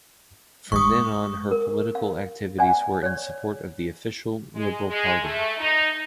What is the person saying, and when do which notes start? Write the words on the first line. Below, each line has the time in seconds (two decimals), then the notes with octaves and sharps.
From then on her political activities were in support of the official Liberal Party.
0.72 G#3 C#6 D#6
1.51 A#4
1.95 F5
2.59 D5 E5 F#5 G#5
3.03 C#5 D5
4.55 G#3
4.90 G#3
5.22 A3
5.58 D#4